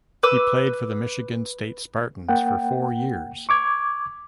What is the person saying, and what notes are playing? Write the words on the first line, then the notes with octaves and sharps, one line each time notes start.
He played for the Michigan State Spartans for four years.
B4 D6 E6
A#3 F#5 G5
C#6 D6 G#6